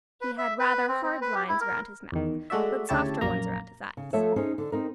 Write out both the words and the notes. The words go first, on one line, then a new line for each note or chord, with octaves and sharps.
He had rather hard lines around his mouth, but softer ones around his eyes.
B4
E5
B4
C4
C4
B4
G4
E4
A#4
E2 D#3
G#3 A3 F#4 D5 E5
D2 C#3 E4 G4 C#5 A5
A#1 F#2 A#3 A#5
C#3
F3 A3 A4 C#5 E5
C#4 D#4 G#4 C5
D3
C4 D#4 A#4